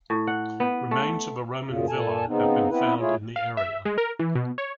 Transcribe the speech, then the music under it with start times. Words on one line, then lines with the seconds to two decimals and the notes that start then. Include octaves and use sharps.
Remains of a Roman villa have been found in the area.
0.10 A2
0.27 F#5
0.60 B3
0.91 A3
1.66 F#2 A#2 C#3
1.89 A#2 A4 G#5 A5
2.27 C#3 B3 C4 D#4
2.70 B3 C4 E4 B4
3.00 A3 E4 F4 G#4 C#5
3.36 F5
3.57 E5
3.85 G#3
3.98 A#4
4.19 E3
4.35 B2
4.58 C#5